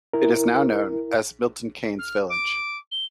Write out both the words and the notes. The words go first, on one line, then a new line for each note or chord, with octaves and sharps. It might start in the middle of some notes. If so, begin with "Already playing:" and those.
It is now known as "Milton Keynes Village".
E4 A#4
F6
D6
G7